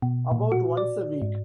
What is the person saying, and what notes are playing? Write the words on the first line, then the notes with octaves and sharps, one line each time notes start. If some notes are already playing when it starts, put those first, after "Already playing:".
About once a week.
B2
A#2
F#4
D5
G#2